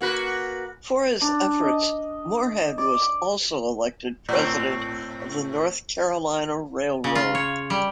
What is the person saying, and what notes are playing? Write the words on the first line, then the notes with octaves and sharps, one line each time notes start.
For his efforts, Morehead was also elected president of the North Carolina Railroad.
A#3 F#4 B4
D4
D#5
D5
A2 C4
C#3
F4
C#5
G3